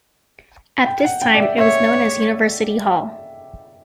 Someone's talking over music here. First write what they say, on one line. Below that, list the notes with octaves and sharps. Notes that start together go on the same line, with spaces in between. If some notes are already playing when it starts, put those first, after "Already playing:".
At this time it was known as University Hall.
G5
F#5
G5
D5
E5
C#5 E5